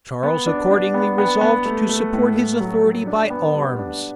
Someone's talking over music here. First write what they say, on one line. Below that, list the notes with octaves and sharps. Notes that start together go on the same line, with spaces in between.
Charles accordingly resolved to support his authority by arms.
B3
D4
D4
B3
B3
B3
A3
A3
A2
A2
F#3
F#3
D4
B3
G3
D4